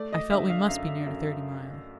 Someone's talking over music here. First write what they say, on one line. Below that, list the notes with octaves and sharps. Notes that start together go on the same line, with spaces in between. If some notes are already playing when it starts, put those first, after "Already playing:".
I felt we must be near to Thirty Mile.
Already playing: A3 D5
D#5
D3 E5
F5
F#2 F5
F#2